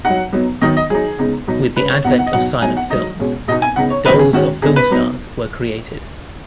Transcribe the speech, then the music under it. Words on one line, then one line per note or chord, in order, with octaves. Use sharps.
With the advent of silent films, dolls of film stars were created.
F#3 D#4 F#5
F#3 B3 D#4
D#3 F#3 B3 D#4 D#5
D#5
F#3 D#4 G#4
C#3 G#3 B3 D#4
B2 F#3 B3 D#4
C#3 G#3 C#4 B4
C#5
B2 B3 D#4 F#5
F#5
D#5
B2 F#3 D#4 F#5
F#3 B3 D#4 G#5
F#5
F#3 D#4 D#5
B2 G#3 C#4
B2 B3 D#4 D#5
G#5
C#3 B3 D#4 F#5
C#5
D#3 F#3 B3 D#4 B4
G#4
D#3 G#3 C#4 F#4
C#3 B3 D#4 G#4
B4
F#3 B3 D#4